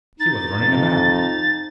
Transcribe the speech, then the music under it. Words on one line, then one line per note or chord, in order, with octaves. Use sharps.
He was running a man!
D#4 A6
F2